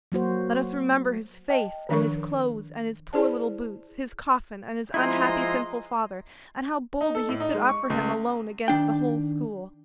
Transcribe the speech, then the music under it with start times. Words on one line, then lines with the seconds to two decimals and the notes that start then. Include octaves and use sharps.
"Let us remember his face and his clothes and his poor little boots, his coffin and his unhappy, sinful father, and how boldly he stood up for him alone against the whole school."
0.12 F#3 A#3 F#4 C5
1.49 D#5 G5 A5
1.89 D#3 F3 D4 A#4 C#6
3.13 E4 G#4 C5 D5 A5
4.94 F3 G#3 E4 D#5 A#5 C6
7.01 D#4
7.15 A4
7.29 A2
7.40 D#4
7.54 G#3
7.69 C#6
7.90 C#2
8.68 D#3 D4 G5